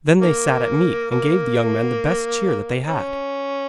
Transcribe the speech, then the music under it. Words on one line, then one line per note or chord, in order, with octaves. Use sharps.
Then they sat at meat, and gave the young man the best cheer that they had.
D#3 A#3
A#3
C#4